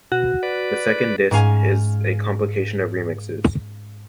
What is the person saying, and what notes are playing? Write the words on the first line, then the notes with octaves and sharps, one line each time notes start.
The second disc is a compilation of remixes.
B2 F#4
B4 D5
G#2 C#4 F5 G#5